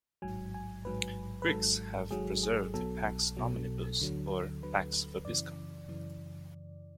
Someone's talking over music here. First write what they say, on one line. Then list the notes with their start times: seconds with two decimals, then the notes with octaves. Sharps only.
Greeks have preserved the "Pax omnibus" or "Pax vobiscum".
0.22 A1 G#2 F#3 G#5
0.54 G#5
0.85 A1 G#2 F#3 B4
1.42 B4
1.48 G#1 G#2 F#3 A4
2.11 G#1 G#2 F#3 G#4
2.43 G#4
2.74 B1 B2 F#3 A4
3.37 B1 B2 F#3
4.00 D2 D3 F#3
4.62 D2 D3 F#3 B4
5.25 F#2 C#3 E3 D5
5.88 F#2 C#3 E3